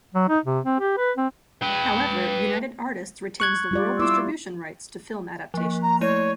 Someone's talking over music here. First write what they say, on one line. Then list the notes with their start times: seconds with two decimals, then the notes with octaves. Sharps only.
However United Artists retains the world distribution rights to film adaptations.
0.14 F#3
0.29 D#4
0.45 C3
0.65 C4
0.80 G4
0.97 B4
1.17 C4
1.63 B4 G5
3.40 C#6 F#6 G#6
3.71 G3 F4 D5
3.99 E4 D5 C6 D6 E6
5.54 F3 A#3
5.82 A#5
6.01 A3 E4 C#5 D#7